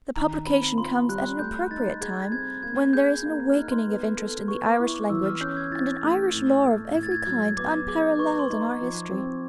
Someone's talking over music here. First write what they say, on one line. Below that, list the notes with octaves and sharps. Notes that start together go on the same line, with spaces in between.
The publication comes at an appropriate time, when there is an awakening of interest in the Irish language, and in Irish lore of every kind, unparalleled in our history.
D#3 A#5
C4 B5
F4 C6
G3 F#6
A3 G6
D#4 A6
G#4 G#6
C4 G#6
A#3 G#6
G#4 G6
A#3
G6
F6
D#4 F#6
C6
B3
A4
B3 C#6
E4 D6
C#6
D6
E3 E6
F6
C#4 G6
G#6
E4 A6
A3
A2
A3
A2 G#6
A6
G#6
F#3 G#6
B3 D6
G#4 D6
B4 C#6
C6
D#4
C6
F3
C4